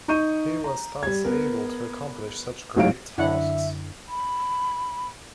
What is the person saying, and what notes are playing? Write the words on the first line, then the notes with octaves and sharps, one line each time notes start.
He was thus able to accomplish such great tasks!
D#4 D#5 C#6 G6 D#7
A#5
G3 G#6
B3 A#4
A1 G#2 F#3 F#4 F5 D7
F#2 D3 D4 E4 E5 F#5
B5